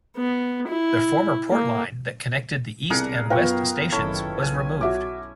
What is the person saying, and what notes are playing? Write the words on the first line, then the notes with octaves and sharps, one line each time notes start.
The former Port Line that connected the east and west stations was removed.
B3
E4
A#3
C2 B2 D4 G#4 A#4 F#5
F#2 B3 F4 A#4 B4 G5 C#6
F#1 D#3 C#4 E4 A4
B1 G#5
F#4 E5 D6